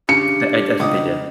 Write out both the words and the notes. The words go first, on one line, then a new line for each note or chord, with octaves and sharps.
D I I think they did.
C#3 D4 G4 C#7
C#2 D#5 D6 D#6